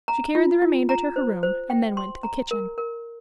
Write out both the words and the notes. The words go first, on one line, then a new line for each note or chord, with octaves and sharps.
She carried the remainder to her room and then went to the kitchen.
A#5
F4
F4
A#5
C5
C5
G5
C6
A#5
A#4
A#4